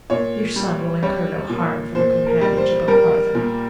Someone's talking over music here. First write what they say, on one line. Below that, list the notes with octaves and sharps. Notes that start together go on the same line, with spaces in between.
"Your son will incur no harm from the companionship of Arthur."
A#2 C#5
G3
G3 C#5
A#2
A#2 C5
A#4
G3
C5
G3 A#4
A#2